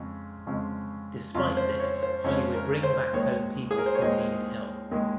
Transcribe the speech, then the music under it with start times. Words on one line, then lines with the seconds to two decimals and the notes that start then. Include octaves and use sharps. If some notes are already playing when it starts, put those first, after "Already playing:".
Despite this she would bring back home people who needed help.
Already playing: F2 C#3 G#3
0.47 F2 C#3 G#3
1.34 F2 C#3 G#3 F4
1.57 C5
1.80 C#5
2.02 C5
2.24 F2 C#3 G#3 C#5
2.54 A#4
2.83 C5
3.13 D#2 D#3 G#3 C#5
3.71 G#4
3.78 A#4
3.86 C5
3.95 C#5
4.02 D#2 D#3 G#3 D#5
4.91 D#2 D#3 G#3